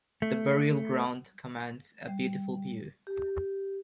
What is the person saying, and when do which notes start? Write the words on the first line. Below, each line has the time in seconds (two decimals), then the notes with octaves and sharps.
That burial-ground commands a beautiful view.
0.22 A3
2.08 G3
3.07 G4